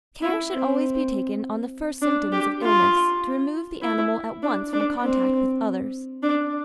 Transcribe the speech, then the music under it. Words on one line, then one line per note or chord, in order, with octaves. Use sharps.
Care should always be taken on the first symptoms of illness to remove the animal at once from contact with others.
E4
C4
D4
G4
F4
E4
D4
D4
C4
D4